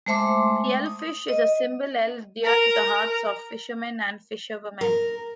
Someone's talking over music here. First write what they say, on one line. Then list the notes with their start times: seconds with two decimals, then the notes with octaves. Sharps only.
The 'hellfish' is a symbol held dear to the hearts of Fishermen and Fisherwomen.
0.06 G#3 A3 C5 E5 C6 D6
0.86 D#6
1.28 D#5
2.44 A#4
4.81 A#4